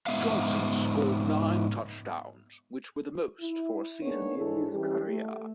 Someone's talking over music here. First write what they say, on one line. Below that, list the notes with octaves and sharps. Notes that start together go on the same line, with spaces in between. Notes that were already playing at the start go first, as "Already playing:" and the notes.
Johnson scored nine touchdowns, which were the most for a season in his career.
G#2 B3 E5 F5
E4
A#3 B3 D4 D#4 G#4 C#5
G#2 E3 D4 E4 G#4 A4
E3 G3 C#4 G4
A3